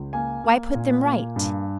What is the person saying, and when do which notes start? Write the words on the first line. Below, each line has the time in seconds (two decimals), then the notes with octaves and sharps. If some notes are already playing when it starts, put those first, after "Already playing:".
Why put them right?
Already playing: C#2
0.13 A#3 G#5
0.44 A#3
0.75 A#2
1.06 A#3
1.36 G2